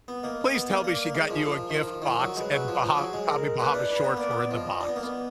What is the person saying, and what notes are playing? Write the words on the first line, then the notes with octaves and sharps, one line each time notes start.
Please tell me she got you a gift box, and Baha Tommy Bahamas shorts were in the box.
B3
A#3 D#5
B3
A#3
A#3 D5
A#3
G#3 A#4
F3
F3
D#3
F3 A#4
D#3
F3
F#3
G#3 B4
F#3
F3
F3
F#3 G#4
G#3
A#4
A#3 B4
D4
D4 B4
B3
A#3 D5
B3
F3 D#5
D4
B3
A#3
B3